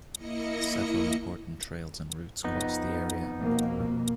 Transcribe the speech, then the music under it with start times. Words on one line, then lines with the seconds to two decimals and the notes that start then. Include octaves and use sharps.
Several important trails and routes crossed the area.
0.15 A#3 E4 D#5 A#6 C#7
2.44 F2 B3 D#4
3.39 F2 B2 A#3